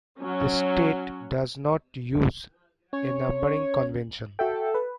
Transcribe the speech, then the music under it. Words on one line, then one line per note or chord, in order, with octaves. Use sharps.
The state does not use a numbering convention.
F#3 C#4
C#4 C#5
F#4 A4 E5 G5
B4